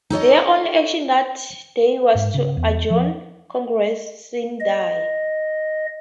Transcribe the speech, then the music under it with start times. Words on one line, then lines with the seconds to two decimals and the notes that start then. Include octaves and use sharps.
Their only action that day was to adjourn Congress "sine die".
0.10 D#4 A4 C#5 D#5
2.15 G#2
2.34 C#3
2.57 E2
2.91 F3
4.60 D#5